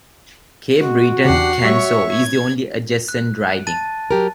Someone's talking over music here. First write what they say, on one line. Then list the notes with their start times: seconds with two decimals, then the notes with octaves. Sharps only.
Cape Breton-Canso is the only adjacent riding.
0.80 G#3 F#4
1.25 E2 C#3 D4 G4 F#5 F#6 C7
1.65 G3 C#5 E5 C#6
2.10 G#6
3.08 F#6
3.67 A5 A6 D#7
4.11 F#3 G4 A#4